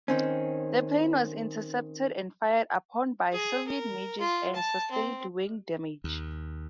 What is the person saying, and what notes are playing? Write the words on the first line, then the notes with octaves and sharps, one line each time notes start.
The plane was intercepted and fired upon by Soviet MiGs and sustained wing damage.
D#3 C4 C#4
G#4
A#4
F4
A5
C4
D#2